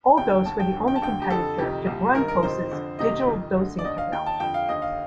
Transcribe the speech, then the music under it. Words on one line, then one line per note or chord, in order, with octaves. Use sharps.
Alldos were the only competitor to Grundfos's 'digital dosing' technology.
D#2 D3 G5
D#2 D3 A5
G5
F2 D3
G5
A5
D2 D3 G5
G4
F2 D3 A4
F2 C3 D#3 G4
C2 A#2
G2 D#3 A#4
A#4
F2 C3 D#3 C5
F2 D3
D2 C3 D#3 D#5
F2 D#3
D2 D3
D5
D#2 D3 D#5
F5
D#2 D#3 G5
A5
F2 D3 G5
F5
D#2 D3 D#5
F5